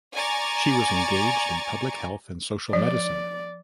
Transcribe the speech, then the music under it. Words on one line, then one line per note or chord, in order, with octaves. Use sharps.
She was engaged in public health and social medicine.
D5 G#5 A#5 C#6 D6 A6
F3 C#5 D5